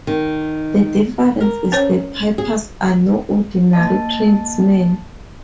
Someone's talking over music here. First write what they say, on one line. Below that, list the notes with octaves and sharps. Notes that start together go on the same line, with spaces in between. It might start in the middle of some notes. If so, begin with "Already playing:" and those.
The difference is the pipers are no ordinary tradesmen.
D#3
A#4
C#4 C5 C#5
G#4
A#3 D#5 A5